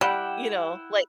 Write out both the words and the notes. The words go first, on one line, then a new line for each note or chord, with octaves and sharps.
Y you know, like
G3 E4 F#5 G5